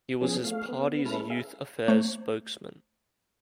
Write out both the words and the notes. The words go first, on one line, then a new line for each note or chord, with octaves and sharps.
He was his party's youth affairs spokesman.
F3 B3 C#4 G#4
A3 F5
B3
G#3 C#4 E4 A4 B4 F6
G#4 E5 F5
A3 C5